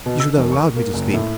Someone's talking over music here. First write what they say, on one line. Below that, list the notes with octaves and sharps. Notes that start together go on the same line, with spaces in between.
You should have allowed me to sleep.
B2
E6
E1
C#6
A#3
F#1
A2